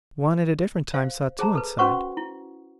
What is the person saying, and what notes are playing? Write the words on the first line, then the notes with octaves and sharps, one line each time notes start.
One at a different time saw two inside.
C5 F5
G#4 C5 A5 A#5
A4 B4
C#4 F#4 B4 C5 F#5 C#6
E4